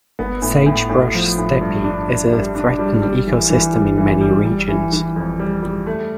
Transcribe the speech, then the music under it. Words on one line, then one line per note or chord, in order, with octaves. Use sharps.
Sagebrush steppe is a threatened ecosystem in many regions.
B3
A2
A2
A2
F3
A2
G2
D4
D4
G3
D4
G3
G3
E3
E3
G3
E3
G3
G3
E3
E3
F2
G3
G3
A3